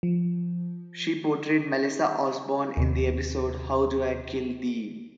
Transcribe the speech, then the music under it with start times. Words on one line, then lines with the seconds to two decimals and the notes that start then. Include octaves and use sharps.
She portrayed Melissa Osborne in the episode How Do I Kill Thee?
0.03 F3
2.77 D#2 C3